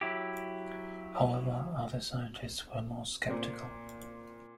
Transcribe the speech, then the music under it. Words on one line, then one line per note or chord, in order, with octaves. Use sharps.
However, other scientists were more skeptical.
F#3 E4 G4
A#2 C4